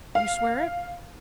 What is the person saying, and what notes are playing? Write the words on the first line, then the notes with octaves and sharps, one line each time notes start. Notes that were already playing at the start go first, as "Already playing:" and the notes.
You swear it?'
F5